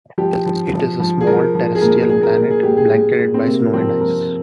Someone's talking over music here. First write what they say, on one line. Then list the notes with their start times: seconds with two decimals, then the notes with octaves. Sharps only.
It is a small, terrestrial planet blanketed by snow and ice.
0.18 F3 G4
0.46 F3
0.73 F3
1.00 F3
1.21 G#4
1.27 F3 A#4
1.55 F3
1.75 G#4
1.82 A#2 A#4
1.96 G#4
2.09 A#2 G#4
2.23 A#4
2.36 A#2 A#4
2.51 G#4
2.63 A#2 G4
2.77 G#4
2.91 A#2
3.19 A#2
3.34 C4
3.46 C3 A#3
3.59 A#3
3.73 F3 C4
3.87 A#4
4.01 F3 A#4